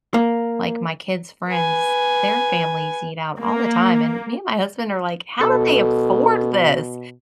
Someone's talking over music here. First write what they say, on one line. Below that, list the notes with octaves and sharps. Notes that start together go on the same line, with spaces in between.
like, my kids' friends, their families eat out all the time, and me and my husband are like, "How do they afford this?"
A#3
B4 G#5
A#3
B2 A4